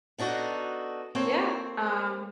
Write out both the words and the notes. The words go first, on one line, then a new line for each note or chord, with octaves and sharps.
Yeah. Um
B3 D4 D#4 F#4 A4
A#3 C4 A4 C5 C#5